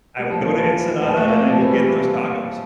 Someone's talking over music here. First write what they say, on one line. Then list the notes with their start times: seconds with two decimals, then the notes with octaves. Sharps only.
I will go to Ensenada, and I will get those tacos.
0.19 G3
0.30 F3
0.42 F3
0.52 E3
0.63 F3
1.01 E3
1.07 F3
1.17 A3
1.28 A#3
1.39 C4
1.50 F3
1.61 E3
1.71 G3